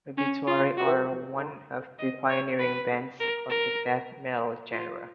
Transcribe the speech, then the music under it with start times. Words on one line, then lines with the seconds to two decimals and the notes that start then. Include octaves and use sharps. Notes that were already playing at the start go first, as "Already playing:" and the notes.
Obituary are one of the pioneering bands of the death metal genre.
0.18 C#4
0.47 F4
0.78 F#4
1.99 D#5
2.30 C#5
2.59 B4
3.20 A#4
3.50 A#4
4.72 F4